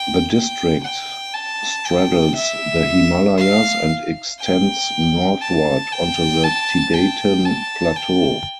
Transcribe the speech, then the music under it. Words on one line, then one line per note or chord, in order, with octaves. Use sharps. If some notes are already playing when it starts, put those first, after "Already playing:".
The district straddles the Himalayas and extends northward onto the Tibetan plateau.
Already playing: G5
G5
G5
A5
G5
E5
F5
G5
A5
G5
A5
G5
A5
G5